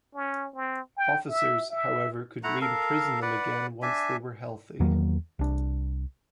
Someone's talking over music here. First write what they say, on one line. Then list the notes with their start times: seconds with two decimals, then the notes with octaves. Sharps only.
Officers, however, could re-imprison them again once they were healthy.
0.15 C#4
0.55 C4
0.98 G5
1.30 E5
1.70 E5
2.44 A3 E4 F#5 A#5
2.61 A4 A#4 F5
3.22 B4 D5 F#5
3.82 D4 E5 G#5
4.80 E2 D#3 F#3 A#3
5.39 C2 D4